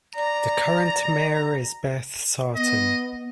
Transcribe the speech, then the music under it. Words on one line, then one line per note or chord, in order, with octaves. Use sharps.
The current mayor is Beth Sartain.
D5 A#5
B3 D#5